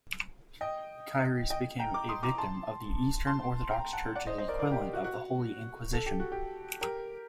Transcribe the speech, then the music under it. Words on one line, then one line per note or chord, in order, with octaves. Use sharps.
Kairis became a victim of the Eastern Orthodox Church's equivalent of the Holy Inquisition.
D#5 G5
D#5 G5
G5 A#5
A#5 D6
C6 D#6
A#5 D6
A5 C6
A5 C6
G5 A#5
F#5 A5
D5 F#5
C5 D#5
C5 D#5
A#4 D5
A#4 D5
G4
F#4
F#4
A4
G4
F#4
G4
G4 A#4